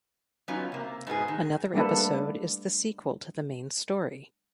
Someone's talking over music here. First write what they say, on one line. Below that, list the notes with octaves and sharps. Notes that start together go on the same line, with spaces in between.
Another episode is the sequel to the main story.
F#3 B3 C#4 D#4 F4
C3 A#3
G#2 B2 B3 G#4
D#3
G3 A3 A#3 D4 A4 B4